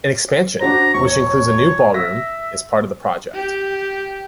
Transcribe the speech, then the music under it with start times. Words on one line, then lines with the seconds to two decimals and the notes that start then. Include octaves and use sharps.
An expansion, which includes a new ballroom, is part of the project.
0.61 D4 F#4 C5 A#5
0.94 E1 C#6
1.07 C#5
1.94 E5 A#6 B6
3.34 G4